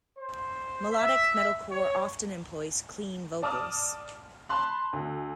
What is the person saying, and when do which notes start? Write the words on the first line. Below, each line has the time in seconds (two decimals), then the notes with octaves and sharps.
Melodic metalcore often employs clean vocals.
0.19 C5
0.92 E5
1.71 C#5
3.42 D5 A5 D6 D#6 F6
4.49 A5 B5 C6 F#6
4.93 D2